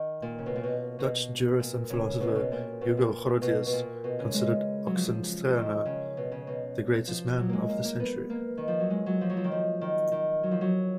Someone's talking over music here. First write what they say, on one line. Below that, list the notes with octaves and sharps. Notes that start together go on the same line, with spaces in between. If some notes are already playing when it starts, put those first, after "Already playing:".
Dutch jurist and philosopher Hugo Grotius considered Oxenstierna "the greatest man of the century".
Already playing: D#3
A#2
C#3
B2
A#2
B2
B2
A#2
C#3
B2
C#3
B2
A#2
B2
A#2
A#2
B2
B2
A#2
B2
C#3
G#3
F#3
F3
D#3
C#3
B2
C#3
B2
F3
F#3
G#3 A#3
A#3
A#3
B3
A#3
D#3
F3
F#3
G#3
F#3
F3
F#3
F3
D#3
F3
D#3
D#3
F#3
F3
F#3